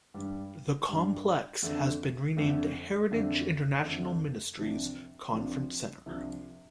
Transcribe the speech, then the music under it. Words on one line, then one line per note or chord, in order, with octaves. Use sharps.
The complex has been renamed Heritage International Ministries Conference Center.
G2 G3 D4
G2 G3 D4
F2 D3 A3 D4
F2 D3 A3 D4
F2 D3 A3 D4
F2 D3 A3 D4
C2 C3 F3 D4
C2 C3 F3 D4
C2 C3 F3 D4